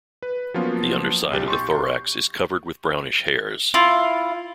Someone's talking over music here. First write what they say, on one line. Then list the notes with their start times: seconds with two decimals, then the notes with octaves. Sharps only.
The underside of the thorax is covered with brownish hairs.
0.23 B4
0.54 F3 F#3 A#3 B3 C#4 F4
1.31 B1 G4 A6
1.48 C6 C#6 G6
3.74 E4 F4